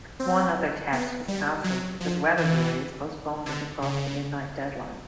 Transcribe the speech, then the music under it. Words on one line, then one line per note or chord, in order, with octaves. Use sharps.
One other test was cancelled because weather delays postponed it across the midnight deadline.
C4
B3
G3
F#3
F3
E3
D3
C#3